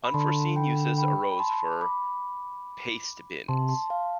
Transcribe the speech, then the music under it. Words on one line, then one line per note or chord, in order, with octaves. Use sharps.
Unforeseen uses arose for pastebins.
B5
D3 A5 C6
G5 B5
G5 B5
B5
A5 C6
B5 D6
C3 A5 C6
A5 C6
F5 A5